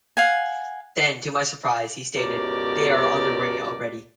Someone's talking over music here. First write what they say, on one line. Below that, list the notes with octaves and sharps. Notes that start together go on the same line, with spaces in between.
Then to my surprise he stated, 'They are on their way already.
F5 F#5 G#5
C#2 F#2 B2 G4 A#4 D5